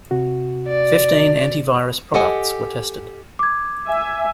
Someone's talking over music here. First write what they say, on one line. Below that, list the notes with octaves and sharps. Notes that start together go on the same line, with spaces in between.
Fifteen anti-virus products were tested.
C3 F#4
D5
G4 A4 D#5 F#5 G#5
D6 G#6
E5 G#5